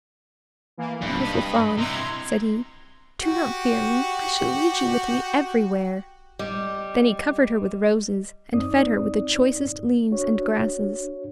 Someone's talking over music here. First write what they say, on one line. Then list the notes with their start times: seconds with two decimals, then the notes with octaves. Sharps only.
"Beautiful Fawn," said he, "do not fear me, I shall lead you with me everywhere." Then he covered her with roses and fed her with the choicest leaves and grasses.
0.77 E3 A#3
1.01 B1 G2 C3
1.21 D#5 B5
1.78 C3 E3 A#5 C6 G#6
3.20 F#4 G4
6.39 G3 D#5 D6
8.54 F#2 C4 D#4 D5 D#6
10.11 D4 F#4 C#5